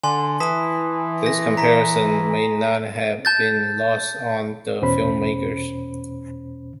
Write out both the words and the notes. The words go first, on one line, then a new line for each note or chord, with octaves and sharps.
This comparison may not have been lost on the filmmakers.
D3 G#5 C6
E3 A5 D#6 B6
A#6
A#5 B6
A5 G6 A6
E2 B2 C#4 C5 B5